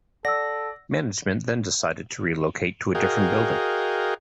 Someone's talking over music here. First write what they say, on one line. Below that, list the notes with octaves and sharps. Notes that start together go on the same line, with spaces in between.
Management then decided to relocate to a different building.
A4 D5 F#5 E6 A#6
F#4 G#4 A#4 D#5 F5 G5